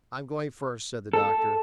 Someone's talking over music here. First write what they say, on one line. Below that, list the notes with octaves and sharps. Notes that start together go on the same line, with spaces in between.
"I'm going first," said the doctor.
A4